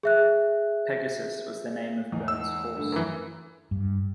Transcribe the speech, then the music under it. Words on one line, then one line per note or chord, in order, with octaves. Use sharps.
Pegasus was the name of Burns' horse.
G#4 E5 F#6
E2 D#4
E6
G2 D3 A3
F#2 E3 A#4
G2